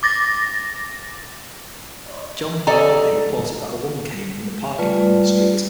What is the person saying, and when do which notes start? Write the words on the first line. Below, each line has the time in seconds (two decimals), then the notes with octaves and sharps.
John Baraldi reported that a woman came from the parking along the street.
0.03 D6 A6 A#6
2.67 A4 D5 D#5 G#5 A#5
4.78 G3 A3 F4 B4 D5